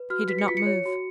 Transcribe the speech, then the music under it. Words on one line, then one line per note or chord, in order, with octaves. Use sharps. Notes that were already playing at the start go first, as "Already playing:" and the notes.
He did not move.
Already playing: B4
F#4 F6
B4 B6
C#7
F4 B6
C#7
C#5
F#4